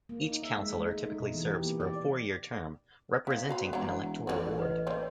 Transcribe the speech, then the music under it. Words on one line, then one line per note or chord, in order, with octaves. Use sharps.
Each councillor typically serves for a four-year term, representing an electoral ward.
A#3
D#4
E5
G#3
G#3
A3
D#4
B2
E3
G4
A#3
D5
B3 E4 F5
F#4 B4 F5 B5
E1 E3 E4 F#5 A#5
A1 D3 F4 F#4
B4 D#5
A3 A#3 C4 C#5 D#5